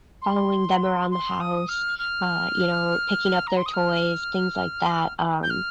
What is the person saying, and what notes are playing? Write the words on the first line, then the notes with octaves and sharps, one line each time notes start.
following them around the house, uh, you know, picking up their toys, things like that. Um,
C6
C6
D#6
F6
F6
A#5
C6
D#6
F6
G6
F6